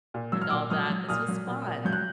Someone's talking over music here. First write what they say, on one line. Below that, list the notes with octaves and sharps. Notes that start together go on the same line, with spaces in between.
and all that, this was fun.
A#2
F#3 E6
F6
A#2 D6 E6
F#3 D#6 F6
F#3
A#2 D#6 F6
F#3
A#2
A#2
F#3 G6
F#6